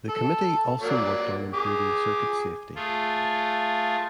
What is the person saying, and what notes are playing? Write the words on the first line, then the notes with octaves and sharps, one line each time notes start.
The committee also worked on improving circuit safety.
A4
F#3 A#3 D5
G#4 D6
A3 F4 G#4